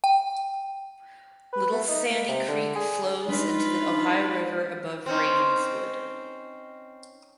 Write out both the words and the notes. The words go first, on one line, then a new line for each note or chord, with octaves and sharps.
Little Sandy Creek flows into the Ohio River above Ravenswood.
G5
B4
A3
D#4
A#3
C3
D3
G#4
G3 G#3 D4 D#4 F4 B4
C4 C#4 D#4